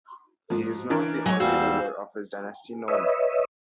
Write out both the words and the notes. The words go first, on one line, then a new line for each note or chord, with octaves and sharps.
He is not the only ruler of his dynasty known.
G#2 F3
E3 D4 A#4
F#3 C#5 G#5
E2 G3 F#4 C5 F5 E6
B4 C#5 D#5 E5